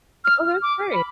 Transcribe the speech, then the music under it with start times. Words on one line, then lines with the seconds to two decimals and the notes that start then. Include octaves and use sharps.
Oh, that's great.
0.25 F6
0.45 F6
0.62 D6
0.93 B5